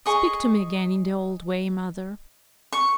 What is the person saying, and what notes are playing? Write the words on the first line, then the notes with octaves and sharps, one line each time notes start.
Speak to me again in the old way, mother.
G#4 D#5 C#6
C#6